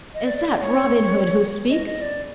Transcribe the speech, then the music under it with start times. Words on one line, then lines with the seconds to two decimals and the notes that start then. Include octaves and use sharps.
"Is that Robin Hood who speaks?"
0.15 D#5
0.26 D5
0.37 D5
0.49 D5
0.61 C#5
1.70 D#5
1.86 D#5
2.01 D5